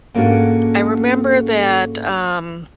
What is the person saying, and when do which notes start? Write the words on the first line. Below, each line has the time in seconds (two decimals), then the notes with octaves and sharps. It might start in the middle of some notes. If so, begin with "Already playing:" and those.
I remember that, um
0.14 G#2 A#3 C#4 D4 F#4 A4